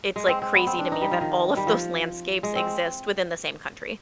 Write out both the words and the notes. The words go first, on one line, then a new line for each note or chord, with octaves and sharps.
it's, like, crazy to me that all of those landscapes exist within the same country.
G#3
C4
C4
B3
C4
D4
D#4
G3
F3
D#3
G3
F3
G#3
C4